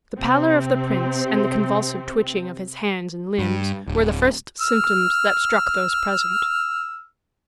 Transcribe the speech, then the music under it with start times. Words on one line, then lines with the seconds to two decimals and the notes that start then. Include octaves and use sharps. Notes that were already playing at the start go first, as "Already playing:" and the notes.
The pallor of the prince, and the convulsive twitching of his hands and limbs, were the first symptoms that struck those present.
0.19 C3 C4
3.39 G2
3.88 D1
4.61 E6 F6